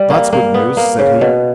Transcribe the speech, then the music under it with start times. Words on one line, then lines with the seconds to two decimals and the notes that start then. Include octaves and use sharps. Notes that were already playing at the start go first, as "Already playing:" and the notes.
"That's good news!" said he.
Already playing: G3
0.10 A#3
0.33 A#3
0.54 B3
0.77 A#3
0.99 C#3
1.21 B2